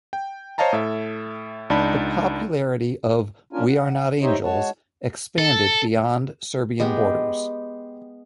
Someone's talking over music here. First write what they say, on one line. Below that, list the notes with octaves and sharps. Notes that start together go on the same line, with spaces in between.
The popularity of "We Are Not Angels" expanded beyond Serbian borders.
G5
C5 C#5 D#5 F5 A5 A#5
A2 A4 E5
C#2 D4 D#4 D5 A5 B5
A#3 C#4 D4 F4 A#4 G#5
F#5
D#4 G4 C5 C#5 D#5 E5
G#3 F#4 C#5 F#5 A5
A4
G#3 B3 G4